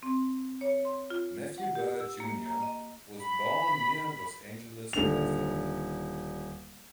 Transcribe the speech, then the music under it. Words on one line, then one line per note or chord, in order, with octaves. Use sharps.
Matthew Beard, Junior was born near Los Angeles, California.
C4
C#5
C6
F4
F#5
G4
E6
A#3
A#5
D#5
B5
D#1 D3 F7